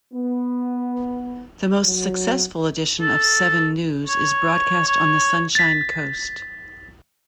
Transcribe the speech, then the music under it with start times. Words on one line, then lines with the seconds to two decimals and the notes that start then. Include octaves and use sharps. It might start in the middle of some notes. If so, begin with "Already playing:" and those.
The most successful edition of "Seven News" is broadcast on the Sunshine Coast.
0.14 B3
1.85 F#3
3.00 A4
4.07 C#5
4.87 C#5
5.55 A6 B6